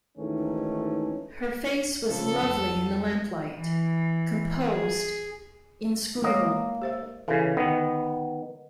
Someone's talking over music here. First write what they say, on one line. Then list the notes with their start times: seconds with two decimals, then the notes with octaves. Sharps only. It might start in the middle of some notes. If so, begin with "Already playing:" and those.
Her face was lovely in the lamplight, composed, inscrutable.
0.18 D2 G#2 D#3 E3 A3 C#4
2.10 C#3 F3 A4
2.42 F2
3.59 E3
4.68 G#4
6.24 G#3 A#3 C#5 D#5
6.82 G4 C5 E5
7.28 C#3 E3 A4 F5 G#5
7.57 D3 D#3 B3